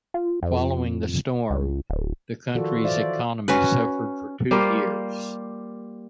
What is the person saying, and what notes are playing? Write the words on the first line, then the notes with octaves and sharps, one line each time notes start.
Following the storm, the country's economy suffered for two years.
F4
F2
C#2
D1
D#3 F3 F4 F#4 A4 D5
E3 C5 D5 E5 F5
C#4 F#4 B4
G3 A#3 F4 A#4